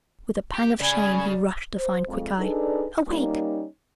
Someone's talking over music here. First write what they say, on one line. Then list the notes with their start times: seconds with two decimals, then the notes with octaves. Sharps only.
With a pang of shame, he rushed to find Quickeye. 'Awake!
0.54 G4
0.81 C#3 D5 G#5 B5 G#6
1.78 C5
2.08 F2 G#3
2.39 D4 D#4 G#4 A4 B4 D5
3.08 G3 A#3 C#4 D#4